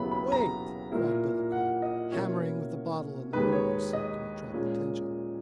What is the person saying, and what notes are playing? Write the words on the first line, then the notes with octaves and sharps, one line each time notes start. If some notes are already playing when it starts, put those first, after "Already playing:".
"Wait!" cried Dolokhov, hammering with the bottle on the window sill to attract attention.
Already playing: D#2 C#3 F#3 B3 E4 B5
B5
A#5
A#2 A#3 E4
F#5
D#5
B2 A#3 C#4 E4 C#5
D#2 D#3 G#3 D#4 B4
C#5
D#5
A#2 G#3 C#4